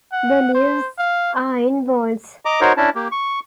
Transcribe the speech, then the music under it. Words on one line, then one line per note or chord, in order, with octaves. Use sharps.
The leaves are in whorls.
F#5
C5
F5
D#5 A#5 D6
D#4 F#4 A#4 C5 C#5
C#4 D4 E4 A5
A#3 G4
C#6